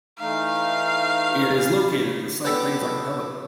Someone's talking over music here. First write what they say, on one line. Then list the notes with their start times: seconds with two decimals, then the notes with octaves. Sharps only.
It is located in the Cyclades archipelago.
0.20 E3 A3 D#4 F5
2.45 B3 D4 G4 A4